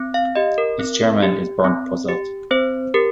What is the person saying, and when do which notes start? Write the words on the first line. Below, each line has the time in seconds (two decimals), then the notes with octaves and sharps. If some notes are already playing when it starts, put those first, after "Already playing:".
Its chairman is Bernd Posselt.
Already playing: C4
0.14 F5
0.36 G4 D#5
0.58 A#4
0.79 C4
1.23 G4
1.64 C4
2.08 G4
2.51 C4 C5
2.94 G4 A#4